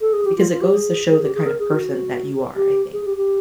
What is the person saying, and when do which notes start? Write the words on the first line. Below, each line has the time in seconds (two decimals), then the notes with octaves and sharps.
because it goes to show the kind of person that you are, I think.
0.01 A4
0.13 G#4
0.25 G4
0.37 F4
0.50 F4
0.61 G4
0.73 G#4
1.10 G#4
1.23 G4
1.35 G#4
1.46 A#4
1.59 G#4
1.71 F#4
2.56 G4
2.93 G#4
3.05 G4
3.17 G4